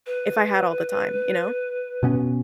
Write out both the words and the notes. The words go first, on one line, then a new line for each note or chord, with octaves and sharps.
if I had all the time, you know?
B4
B2 B3 C#4